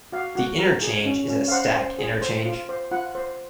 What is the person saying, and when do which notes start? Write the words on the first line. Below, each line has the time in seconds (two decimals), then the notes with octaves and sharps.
The interchange is a stack interchange.
0.12 F#4 F5
0.35 F#4
0.59 A#4
0.82 G#4
1.05 C#4
1.28 C#4
1.48 F5
1.52 C5 F#5
1.75 C5
1.99 G#4
2.22 C5
2.46 F4
2.69 C5
2.91 F4 F#5
3.15 C5